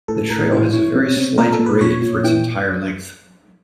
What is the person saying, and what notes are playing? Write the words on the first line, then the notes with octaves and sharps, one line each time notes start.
The trail has a very slight grade for its entire length.
A2 A4
A2 A#4
E3 C5
E3 C#5
C3
C3
A#2 A#4
A4
A#2
B4
A#2 C#5
A#2
E3 G5